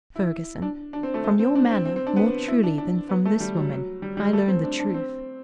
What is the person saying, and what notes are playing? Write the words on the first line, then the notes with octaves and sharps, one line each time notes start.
Ferguson, from your manner more truly than from this woman, I learn the truth.
E4
D4
D4
C4
A3
A3
C4
D4
C4
C4
C4
D4
B3
E4
D4
D4
B3
A3
G3
F#3
F#3
G3
G3
A3
C4
D4
D4
C4